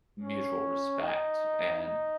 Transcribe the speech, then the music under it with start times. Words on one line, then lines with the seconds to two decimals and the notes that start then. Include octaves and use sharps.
mutual respect and
0.22 C#4
1.01 D#4
1.80 D#4